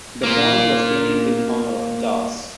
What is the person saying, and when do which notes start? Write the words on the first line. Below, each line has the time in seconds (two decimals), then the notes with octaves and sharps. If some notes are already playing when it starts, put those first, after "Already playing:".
The point was renamed in honour of Dawes.
0.23 A#3 F4